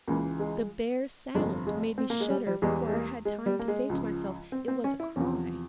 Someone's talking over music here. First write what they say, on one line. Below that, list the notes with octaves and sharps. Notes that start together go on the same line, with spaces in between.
The bare sound made me shudder before I had time to say to myself it was a cry.
C#2 C#3 E3 A#3
G#3
G1 F2 C3 G#3
G#3
C4
A#3
G#3
G3
G3
E2 E3 G3 G#3
G#3
A#3
G#3
G3
A#3
G#3
C#2 C#3 F3
C4
C4
C#4
E4
E2 C3 F3 C#4